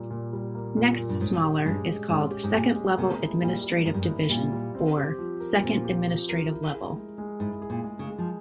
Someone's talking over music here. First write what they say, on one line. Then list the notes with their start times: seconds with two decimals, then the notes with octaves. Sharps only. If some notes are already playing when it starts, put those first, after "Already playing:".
Next smaller is called "second-level administrative division" or "second administrative level".
Already playing: A#2 G3 A#3
0.10 A#2
0.33 G3
0.55 A#3
0.77 A#2
0.98 A#2
1.09 G2
1.21 G#2 C#4
1.44 G4
1.65 G2 G#3
1.87 G#3
2.09 G#2 C#4
2.31 G4
2.44 G#2
2.53 A#2 G#3
2.75 G#3
2.97 C3 A#3
3.20 E4
3.42 A#2 G3
3.64 G3
3.85 G#2 A#3
3.94 G2
4.02 G#2
4.08 E4
4.30 A#2 G3
4.53 G3
4.75 C4
4.97 G4
5.19 F3
5.40 A#4
5.63 A#2 C4
5.85 G4
6.07 F3
6.29 A#4
6.51 E4
6.73 G#4
6.95 G#3
7.18 G#3
7.40 G#2 E4
7.62 G#4
7.70 A#2
7.84 G#3
7.99 C#3
8.07 G#3
8.18 F3